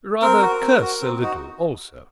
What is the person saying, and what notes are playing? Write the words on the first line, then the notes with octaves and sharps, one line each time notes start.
Rather curse a little also!
C4 A#4
F#4
C4
F#4
C4
D#4 F#4